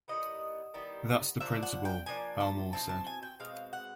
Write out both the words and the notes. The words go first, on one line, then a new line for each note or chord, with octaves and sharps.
That's the principle, Ballmer said.
D#3 G3 B3 E4 D#5
D#3 G3 B3 E4
F3 A#3 D4 E5
F#5
G5
F3 A#3 D4 G#5
A5
B2 G#3 C4 E4 A5
A5
G#5
G5
B2 G#3 C4 F5
F#5